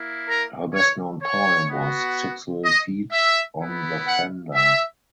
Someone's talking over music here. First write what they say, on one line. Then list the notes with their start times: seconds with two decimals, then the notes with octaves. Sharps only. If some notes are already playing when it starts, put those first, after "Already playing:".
Her best known poem was "Six Little Feet on the Fender".
Already playing: A#3 E4
0.28 A#4
0.75 C#5
1.23 C#5
1.70 B3 F#4
2.65 D#5
3.12 E5
3.60 B3 E4
4.07 F#5
4.54 E5